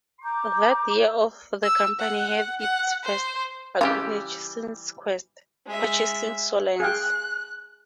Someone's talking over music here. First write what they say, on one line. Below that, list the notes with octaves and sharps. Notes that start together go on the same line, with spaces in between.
That year the company had its first acquisition since Quest, purchasing Soliance.
A#5 D6 G6
E6
F#5
F#5
C5
C#3 E3 G3 F4 G4
G#3 E5
G#4 F5 G5 F#6